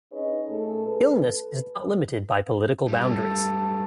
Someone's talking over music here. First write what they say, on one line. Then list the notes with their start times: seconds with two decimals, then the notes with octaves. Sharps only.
Illness is not limited by political boundaries.
0.12 C#4 D#4 G#4 B4 C#5 D#5
0.49 A#2 A3 G#4 A4
0.86 A4 B4
2.87 G#2 G3 A4